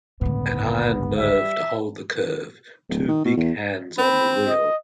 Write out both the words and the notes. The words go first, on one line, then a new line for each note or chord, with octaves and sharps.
An iron nerve to hold the curve, two big hands on the wheel.
G1 C#2 A2 D3 B3
G3 E5
D1
D#3
B2
E2
C4 B5
D#5